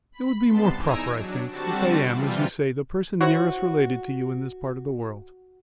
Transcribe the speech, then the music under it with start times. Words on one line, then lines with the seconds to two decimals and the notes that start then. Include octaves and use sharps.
It would be more proper, I think, since I am, as you say, the person nearest related to you in this part of the world.
0.12 B5
0.47 G2 C3 B3 A5 C6
0.76 E2 D#4 G#5 A#5 E6 D7
1.13 F#3 D4
1.48 D3 G3 C4 F#4 A5
2.11 C3 E3 G3 F4
3.21 E4 F#4 C5 C#5